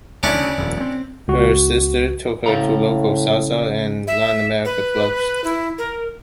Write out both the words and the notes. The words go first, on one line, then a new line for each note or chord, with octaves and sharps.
Her sister took her to local salsa and Latin American clubs.
C#2 C3 C#4 D4 E4
D2 C#3
D#1 F2
G#3 C4
C#2 F#4
A2 C#3 F5 A#5
E5
B4
E4
A#4